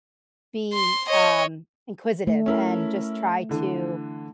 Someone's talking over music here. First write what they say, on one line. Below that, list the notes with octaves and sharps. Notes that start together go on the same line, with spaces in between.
be, um, inquisitive and just try to
C6
C#5 D#5
A3
C#4 E4 A#4
D3 E3